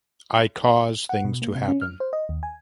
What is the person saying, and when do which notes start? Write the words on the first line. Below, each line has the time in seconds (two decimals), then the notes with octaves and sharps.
I cause things to happen.
1.09 F#5
1.25 B2
1.42 A#3
1.56 C3
1.68 C#4
1.81 F6
2.00 C5
2.13 D#5
2.29 D#2
2.43 G#5